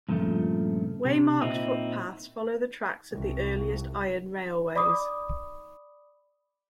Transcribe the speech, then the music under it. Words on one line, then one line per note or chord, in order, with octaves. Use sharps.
Waymarked footpaths follow the tracks of the earliest iron railways.
G2 A#2 C#3 F3 A3
C3
A#2 C4 D#4 E4
C2
D5 B5 D6 D#6